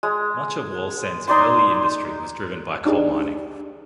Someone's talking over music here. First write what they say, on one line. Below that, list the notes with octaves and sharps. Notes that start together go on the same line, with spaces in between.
Much of Wallsend's early industry was driven by coal mining.
G#3
D#4 D5 G#5 C6
D4 D#4 G4 G#4 D5